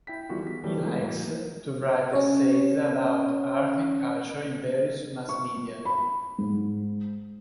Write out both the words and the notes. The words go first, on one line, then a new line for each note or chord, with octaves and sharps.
He likes to write essays about art and culture in various mass media.
E4 G5 B6
D#3 E3 G3 B3 F4 F#4
G#4 B6
E3 F#3 G3 A3 B3
E3 G#3
A2 E3 F#3 A#3
C#4 C#5
C#6
B5
G#2